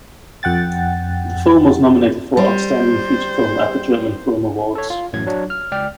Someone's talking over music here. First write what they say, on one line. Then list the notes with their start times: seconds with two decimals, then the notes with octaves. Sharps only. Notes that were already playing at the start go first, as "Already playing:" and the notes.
The film was nominated for Outstanding Feature Film at the German Film Awards.
0.43 F2 F#5 G5 A6
2.37 G3 C5
4.75 A4 C#5
4.90 F4
5.13 A1 F#2 A2 F#3 G#6
5.26 F#3 D4 C#5
5.50 F6
5.72 C#2 D5 G5 F6